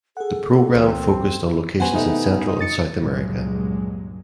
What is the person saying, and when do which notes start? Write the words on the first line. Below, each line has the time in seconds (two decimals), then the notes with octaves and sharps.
The program focused on locations in Central and South America.
0.17 G#4 A4 F#5
0.76 C#2 E3 C4
1.80 B3 C#4 F#4 C5 F#5 G#5
1.95 C3 A3 D#4
2.48 D#5
2.61 A6 C#7
2.96 C#2 G2 A#2 F#3 G#3